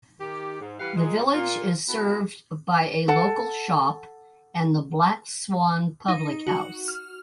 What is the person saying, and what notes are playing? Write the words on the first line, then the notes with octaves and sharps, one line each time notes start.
The village is served by a local shop and the Black Swan public house.
D#3 G4
G#2
E3 G3 G4 B4 F5 F#5
A#2 G#3
A#2 F4
B3 E4 F#4 A4 B4
A4 F#5 A5
D#4
F#4
F6